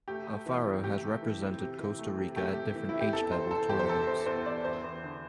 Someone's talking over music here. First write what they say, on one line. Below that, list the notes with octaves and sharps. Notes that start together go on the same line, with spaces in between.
Alfaro has represented Costa Rica at different age level tournaments.
A3 G4
A3
E3
C3
A3 G4
A3
E3
C3
C3
E3
A3
C3
A3 G4
C3
E3
E4
C3
G4
E2 A4
E3 C5
E3 A4
E2 G4
C5
E2 A4
E3 C5
E2 C5
E2 D5
E2 C5
E2
D3